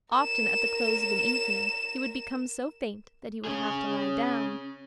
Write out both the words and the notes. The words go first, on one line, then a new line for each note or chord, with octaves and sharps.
Often at the close of an evening he would become so faint that he would have to lie down.
A#4 E7
C#4 G#4